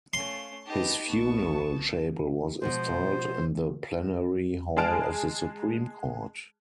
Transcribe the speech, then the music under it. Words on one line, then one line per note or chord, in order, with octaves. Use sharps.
His funeral chapel was installed in the plenary hall of the Supreme Court.
A3 C#4 F5 C6
D#4 G4 B4 D#5 A5
B1 B3 A5 C#6
B2 F3 G#3 C5
G#3 G#4 A5 F6 D7